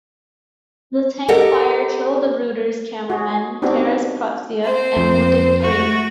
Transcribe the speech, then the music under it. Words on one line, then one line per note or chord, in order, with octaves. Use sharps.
The tank fire killed the Reuters cameraman Taras Protsyuk and wounded three.
G4 A4 A#4 D#5 F#5
F#4 G#4
B3 C4 D4 D#4 F#4 G4
C4 C5
F2
A3 F#4